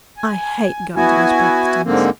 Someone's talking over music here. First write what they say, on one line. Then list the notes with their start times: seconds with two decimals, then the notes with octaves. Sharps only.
"I hate going to Miss Braxton's."
0.17 G#5
0.96 B3 E4 F#4 G#5
1.85 G#2 D3 A#3 C4